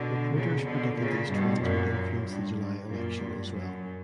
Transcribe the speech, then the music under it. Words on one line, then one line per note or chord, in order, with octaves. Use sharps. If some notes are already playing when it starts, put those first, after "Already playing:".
Reporters predicted these trends would influence the July election as well.
Already playing: B2 D3
A#2 C#3
B2 D3
A#2 C#3
G2 B2
F#2 A#2
F#2
G2
G2
F#2 A#2
G2
F#2